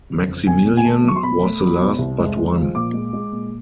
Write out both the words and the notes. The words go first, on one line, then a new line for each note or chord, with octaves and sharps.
Maximilien was the last but one.
C#3
F2
B2 G#5
B2
G#5
A3 A5
F#3 C#6
C6
B2 B5
A3
F#3
B2
C2
G#3
G#3
F3
A#2 D6
G#3
G#3
A#2